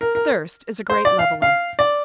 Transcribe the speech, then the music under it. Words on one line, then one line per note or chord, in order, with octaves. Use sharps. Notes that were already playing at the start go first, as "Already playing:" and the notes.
Thirst is a great leveller.
A#4
A#4
C5
D5
F5
F5
D5